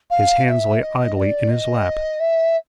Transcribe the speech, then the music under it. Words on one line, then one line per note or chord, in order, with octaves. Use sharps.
His hands lay idly in his lap.
F5
F5
E5
D#5
D#5
D5
D#5
E5